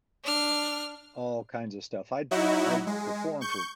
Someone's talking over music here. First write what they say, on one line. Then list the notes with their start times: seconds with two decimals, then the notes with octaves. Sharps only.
All kinds of stuff. I'd I'd performed for
0.24 D4 F6
2.31 F#3 D#4 E4 F#4
2.87 G#3
3.41 C#6 G6